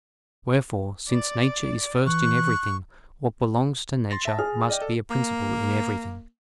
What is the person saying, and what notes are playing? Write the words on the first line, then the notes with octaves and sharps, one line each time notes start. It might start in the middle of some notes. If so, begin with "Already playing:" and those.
Wherefore, since nature is first in everything, what belongs to nature must be a principle in everything.
D5
E3 C#6 F#6
C6 A6 A#6
E5 A5
G#4 F6
D5 D#5 G5
A4
A#3